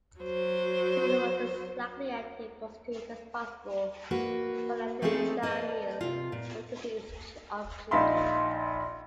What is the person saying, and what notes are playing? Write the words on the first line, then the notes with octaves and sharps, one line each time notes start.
Zingerone is likely the active constituent responsible for the antidiarrheal efficacy of ginger.
F#3 C5
A#3 F#4 B4
A3 C4 C#4 D#4 G#4 A4
B4 D5 D#5 A5
C3 F4
A#2
A#1 D#4 E5 F5 B5 C6